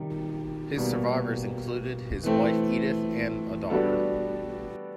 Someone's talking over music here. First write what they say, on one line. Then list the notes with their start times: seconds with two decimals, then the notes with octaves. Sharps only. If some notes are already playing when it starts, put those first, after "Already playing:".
His survivors included his wife Edyth and a daughter.
Already playing: C3 D#3 G3
0.77 B2 G3 A#3
2.23 E3 A3 C4
3.70 G3 B3 D4 F#4 A4